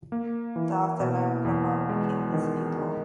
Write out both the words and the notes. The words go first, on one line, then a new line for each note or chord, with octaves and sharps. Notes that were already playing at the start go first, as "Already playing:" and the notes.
The author Abe Kobo became his pupil.
A#3
E3
B2
E2
G#3
D#3
D#3